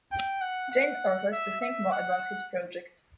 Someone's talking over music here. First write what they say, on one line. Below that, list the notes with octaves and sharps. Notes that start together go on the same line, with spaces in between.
Jane offers to think more about his project.
G5
F#5
F#5
E5
E5
F#5